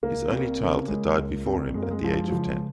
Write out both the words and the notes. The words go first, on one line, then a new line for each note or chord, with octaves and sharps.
His only child had died before him at the age of ten.
C#2 A#3
C4
C#3
G#3
C#2
C4
F#2 G#3
A#3
G#3
F3 G#3
F#3
C#3 F3